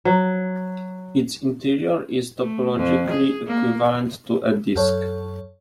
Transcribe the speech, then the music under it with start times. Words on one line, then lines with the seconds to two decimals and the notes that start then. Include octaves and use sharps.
Its interior is topologically equivalent to a disk.
0.05 F#3
2.39 A3
2.75 F2
3.11 G#4
3.47 A#3
4.75 F#2 A4 C#5